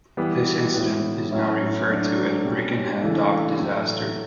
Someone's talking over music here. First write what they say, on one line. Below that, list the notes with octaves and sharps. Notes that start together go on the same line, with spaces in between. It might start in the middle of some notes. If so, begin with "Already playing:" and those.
This incident is now referred to as the Birkenhead Dock Disaster.
E3 G3 B3
A2 E3 B3 E4
A2 F#3 C#4 E4
F#3 A3 D4
B2 G3 C#4
C#3 E3 A3 D4
A2 F#3 A3 E4